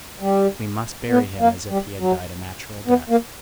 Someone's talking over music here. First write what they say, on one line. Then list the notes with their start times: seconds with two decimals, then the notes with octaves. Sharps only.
We must bury him as if he had died a natural death.
0.20 G3
1.09 B3
1.39 A#3
1.69 G3
1.99 F#3
2.87 B3
3.10 A#3